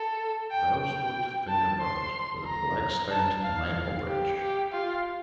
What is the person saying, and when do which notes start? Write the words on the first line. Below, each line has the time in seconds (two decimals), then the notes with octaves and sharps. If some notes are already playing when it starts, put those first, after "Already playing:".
Rosewood Fingerboard, with a Black-Stained Maple bridge.
Already playing: A4
0.51 G5
0.83 G5
1.48 A5
1.80 C6
2.45 A#5
3.10 A5
3.42 F5
4.07 G4
4.39 G4
4.72 F4